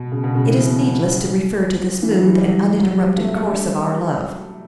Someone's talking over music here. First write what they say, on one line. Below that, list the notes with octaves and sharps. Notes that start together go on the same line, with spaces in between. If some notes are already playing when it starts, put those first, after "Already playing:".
It is needless to refer to the smooth and uninterrupted course of our love.
Already playing: B2
C#3
B2
C#3
E3
E3
F#3
E3
G3
F#3
F#3
G3
A3
A3
G3
A3